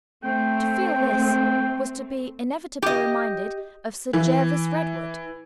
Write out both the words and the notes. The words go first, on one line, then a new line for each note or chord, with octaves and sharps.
To feel this was to be inevitably reminded of Sir Jervis Redwood.
A3 C4 G5
G4 D#5
E3